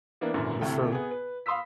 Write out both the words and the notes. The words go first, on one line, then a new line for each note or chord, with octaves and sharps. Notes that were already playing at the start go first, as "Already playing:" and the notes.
that's true.
E3 A#3 B3 D4
G#1 F#2 A#2 D3 E3
D2 A2 C3 A4 G5
B3 G#4
B4
F5 B5 C6 D#6 E6 B6